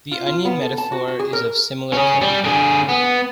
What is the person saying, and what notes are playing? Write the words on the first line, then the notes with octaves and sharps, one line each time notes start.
The onion metaphor is of similar character.
F4
F4
B3
A4
A5
F#4
F#4
G#4
A#4
C#4 G#4
G3
D3 G#4
B3